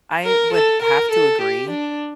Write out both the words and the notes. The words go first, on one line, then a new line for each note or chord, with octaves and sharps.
I would have to agree
A#4
A4
A#4
A4
G4
D4